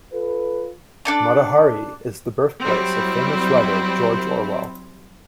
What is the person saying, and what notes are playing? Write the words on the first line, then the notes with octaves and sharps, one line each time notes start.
Motihari is the birthplace of famous writer George Orwell.
F4 A4 B4
D4 A4 D5
F#3 G3 C4 E4